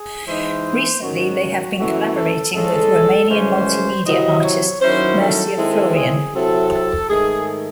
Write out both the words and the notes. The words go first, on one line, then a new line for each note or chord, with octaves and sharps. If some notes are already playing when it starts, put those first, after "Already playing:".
Recently, they have been collaborating with Romanian multimedia artist Mircea Florian.
Already playing: G#4
E3 G#3 D#4 C5
G#2 D#3 F#3 C#4 F#4
F#2 E3 A3 C#4 E4 F#4
A4
A2 G#3 C#4 A4
F#2 C#3 E3 G#3 C#4 C5
C3 F#3 C4 E4 D#5
C#5
D#3 F#3 C#4 E4 C5
A4
D#3 G#3 C4 E4
G#4
C3 F#3 C4 E4 A4
G#2 D#3 A3 G#4